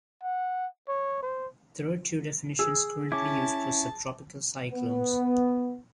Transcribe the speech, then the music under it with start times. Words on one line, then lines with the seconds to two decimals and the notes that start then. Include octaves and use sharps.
There are two definitions currently used for subtropical cyclones.
0.23 F#5
0.88 C#5
1.23 C5
2.59 G#4 E6
3.12 C#4 E4 A5 D6
4.72 B3